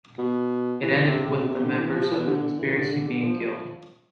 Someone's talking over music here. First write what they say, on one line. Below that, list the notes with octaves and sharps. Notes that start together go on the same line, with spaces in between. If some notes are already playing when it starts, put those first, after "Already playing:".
It ended with the members of the conspiracy being killed.
B2
E3
C3
C3
B2
C3
D3
E3
F3
E3
D3
D3
E3
D3
D3
D3
F3
F3